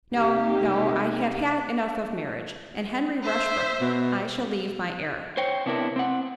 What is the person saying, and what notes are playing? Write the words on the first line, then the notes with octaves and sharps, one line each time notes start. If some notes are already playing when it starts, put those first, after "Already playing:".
No--no--I have had enough of marriage--and Henry Rushbrook I shall leave my heir.
C3 A#3 D#4 G4
C5 E5
B2
C5 C#5 G5
C3 B3 D4 E4 G#4 A#4
C4 F#5